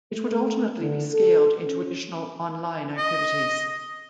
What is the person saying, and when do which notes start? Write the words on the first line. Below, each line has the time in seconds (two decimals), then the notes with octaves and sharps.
It would ultimately be scaled into additional online activities.
0.14 A3
0.81 D3
1.12 A4
1.65 C#4
2.98 D#5